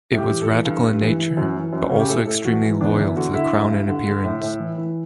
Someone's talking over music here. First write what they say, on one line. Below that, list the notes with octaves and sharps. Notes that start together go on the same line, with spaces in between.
It was radical in nature, but also extremely loyal to the crown in appearance.
A2
G4
E3
A4
E3
G2
G2
E3
E3
F#2
E3
F#2
C#3
G4
A2 A4
A2 A4
E3 F#4
E3
E2 D4
E2 E4
D3 F#4
D3 E4
G2
G2
D3
D3
A2
A2
E3
E3